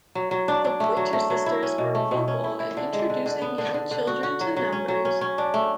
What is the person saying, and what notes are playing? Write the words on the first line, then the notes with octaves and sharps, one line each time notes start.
The Pointer Sisters were vocal in introducing young children to numbers.
F#3
F#3
D4
D4
A3
F#3
A3
F#3
E4
C#4
B2
A3
B2
C#4
E4
E4
D3
G#3
D3
D3
B3
D3
D3
D3
F#4
F#4
F#3
F#3
C#4
F#3
C#4
C#4
D4
A3